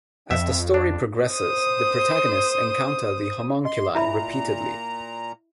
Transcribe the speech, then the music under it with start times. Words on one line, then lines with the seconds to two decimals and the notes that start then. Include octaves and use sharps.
As the story progresses, the protagonists encounter the Homunculi repeatedly.
0.31 F2 E5
0.74 D4
1.31 C5 D#6
3.65 D#5 C6
3.95 A#2 E4 E5 A#5 B5